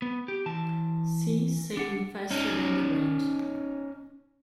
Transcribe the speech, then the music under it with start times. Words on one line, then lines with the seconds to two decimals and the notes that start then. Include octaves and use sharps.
See "Sailing faster than the wind".
0.02 B3
0.28 G4
0.46 E3 A5
1.77 D4 F#5
2.31 C#4 D#4